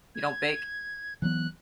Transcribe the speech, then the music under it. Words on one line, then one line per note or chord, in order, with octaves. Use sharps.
You don't bake?
G#6
E3 F#3 B3 F#6